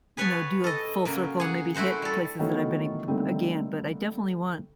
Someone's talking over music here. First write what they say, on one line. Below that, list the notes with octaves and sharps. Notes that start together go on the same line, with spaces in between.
you know, do a full circle and maybe hit places that I've been b again; but I definitely want
G#4 B4 C#5 F#5 G#5 A5
A4 D#5
C#3 F#3 A#3
G#4 F#5
A3 E4 F#4 C5 F#5
G3 A4
D#3 E3 F#3 A3 B3 C#5
D3 G3 A3 A#3 C4 D#4